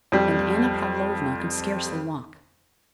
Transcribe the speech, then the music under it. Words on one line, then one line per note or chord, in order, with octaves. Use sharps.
And Anna Pavlovna could scarcely walk....
F2 G3